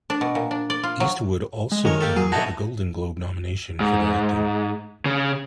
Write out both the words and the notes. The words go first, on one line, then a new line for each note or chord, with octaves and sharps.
Eastwood also earned a Golden Globe nomination for directing.
D4
B2
A#2
D4
D5
F4
F#3
G#3
D#3 G#3 A#4 C#5
A#3 G4 A4
F#3 G#4
A#2 E3 D#4 F#4 A5 A#6
G#2
C#3